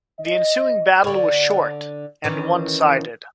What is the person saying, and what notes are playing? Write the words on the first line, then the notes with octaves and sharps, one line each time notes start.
The ensuing battle was short and one-sided.
D#5
D3 C#5
D#3 E3 C#4